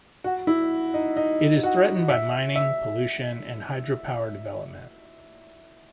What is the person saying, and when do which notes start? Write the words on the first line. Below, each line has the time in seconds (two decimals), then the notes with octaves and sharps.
It is threatened by mining, pollution, and hydro-power development.
0.24 F#4
0.47 E4
0.94 D#4
1.17 D#4
1.64 F#4
2.10 E5
2.56 E5